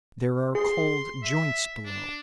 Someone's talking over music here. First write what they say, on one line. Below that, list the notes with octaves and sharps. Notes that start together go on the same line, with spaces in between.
There are cold joints below.
G#4 C6
E5
D4